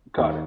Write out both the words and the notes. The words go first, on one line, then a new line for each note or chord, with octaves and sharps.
Got it.
D#2